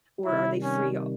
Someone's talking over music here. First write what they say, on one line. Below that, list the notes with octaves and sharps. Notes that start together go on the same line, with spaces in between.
or are they free e
C3 D#3 G3 E4
C#4